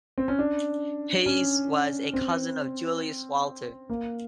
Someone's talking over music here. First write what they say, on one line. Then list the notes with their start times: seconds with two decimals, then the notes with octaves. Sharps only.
His was a cousin of Julius Walter.
0.18 C4
0.28 C#4
0.39 D4
1.26 C#4
2.14 C4
3.90 A#3